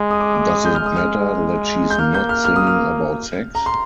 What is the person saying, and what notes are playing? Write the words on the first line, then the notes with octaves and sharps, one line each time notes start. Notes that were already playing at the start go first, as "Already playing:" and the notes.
Does it matter that she's not singing about sex?
Already playing: G#3
D#6
D6
D6
D#6
G6
G#3 F6
D#6
F6
G6
A#3 F6
G6
F6
F6
D#6
F6
A#5
C6